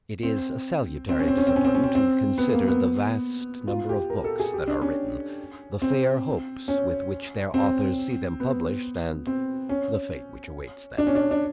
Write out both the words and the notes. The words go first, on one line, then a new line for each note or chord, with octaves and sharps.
It is a salutary discipline to consider the vast number of books that are written, the fair hopes with which their authors see them published, and the fate which awaits them.
C4
C4
C#4
C4
C#4
C4
C#4
C4
C#4
C4
C4
B3
A#3
B3
F4
G4
A#4
A4
G#4
G4
D4
C#4
C4
C#4
C4
B3
C4
C#4
D4
C#4
D4
D4